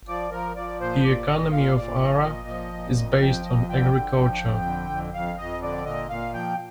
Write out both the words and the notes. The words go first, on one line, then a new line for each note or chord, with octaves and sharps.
The economy of Hara is based on agriculture.
F3 D5
F3 A#4
F3 D5
A#2 C5
A#2 D5
A#2 D#5
A#2 F5
A#2 D5
F3 D#5
A#2
F3
A#2
F2 D#5
F3 G5
F2 D#5
D3 G5
D3
F3
F2
D3
F2
F2 F5
F2 D#5
D3 D5
A#2 D#5
A#2 F5
F3 G5